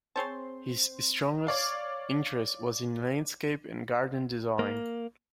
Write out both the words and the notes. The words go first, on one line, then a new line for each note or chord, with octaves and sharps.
His strongest interest was in landscape and garden design.
C4 G#4 C5 C#5 A5 C6
C#5 D5 F5
A#3